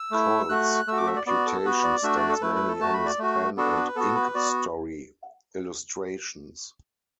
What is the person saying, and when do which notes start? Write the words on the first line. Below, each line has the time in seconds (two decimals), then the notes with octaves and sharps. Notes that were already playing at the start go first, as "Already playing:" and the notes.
Coll's reputation stands mainly on his pen and ink story illustrations.
Already playing: E6
0.11 A3 E4
0.49 A3 F#4 F#6
0.87 A3 F#4 E6
0.98 D6
1.07 E5
1.16 D5
1.26 B3 F#4 D5
1.46 A4
1.65 B3 F#4 B4
1.84 D5
2.03 A3 D4 F#4 E5
2.17 D5
2.29 A4
2.42 A3 E4 B4
2.55 B4
2.68 A4
2.80 A3 F#4 A5
2.94 B5
3.06 D5
3.19 A3 F#4
3.57 B3 D4 F#4 A4
3.76 B4
3.96 B3 F#4 A4
4.15 B4
4.35 B3 F#4 D5